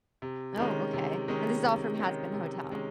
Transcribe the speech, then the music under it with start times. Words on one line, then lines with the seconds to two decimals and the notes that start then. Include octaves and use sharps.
Oh, okay, and this is all from "Hazbin Hotel?"
0.22 C3
0.57 D#3 G#3 C#4
0.93 C3
1.28 D#3 G#3 C#4
1.63 C3
1.99 D#3 G#3 C#4
2.34 C3
2.70 D#3 G#3 C#4